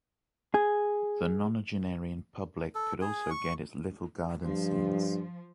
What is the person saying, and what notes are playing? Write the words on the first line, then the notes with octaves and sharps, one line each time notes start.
The nonagenarian public could also get its little garden scenes.
G#4
A4
G#4
C#6
G2 F3